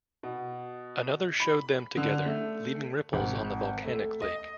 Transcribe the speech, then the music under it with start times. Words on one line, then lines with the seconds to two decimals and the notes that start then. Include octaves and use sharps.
Another showed them together, leaving ripples on the volcanic lake.
0.23 B2
1.40 B5
1.97 D3
2.26 A3
3.13 G#1
3.85 A3
4.22 D#5